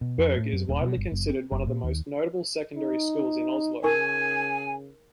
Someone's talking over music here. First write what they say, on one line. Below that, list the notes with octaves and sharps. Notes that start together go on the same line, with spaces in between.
Berg is widely considered one of the most notable secondary schools in Oslo.
B2
F2
A2
F#2
D#1
B2
G1
F#1
C4
F#1
A#2
D#2
D#4
C#3 D#4 A#4 G#5 C#6